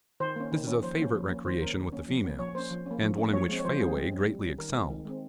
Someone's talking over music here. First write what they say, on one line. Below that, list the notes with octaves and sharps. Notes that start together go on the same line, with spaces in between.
This is a favourite recreation with the females and one in which Fayaway greatly excelled.
D#3 C5
A#3 C#4
D#3
A#3 C#4
F3 C5
A#3 C#4
F3
A#3 C#4
D#3 C5
A#3 C#4 A#4
D#3
A#3 C#4
F3
A#3 C#4
F3 C#5
A#3 C#4 C5
F3
A#3 C#4
F3
A#3 C#4
F3 C#5
G#3 C4
C#5
F3 C5
G#3 C4 G#4
G3
C#4
G3
C#4
D#3 A#4
G#3 C4
D#3
G#3 C4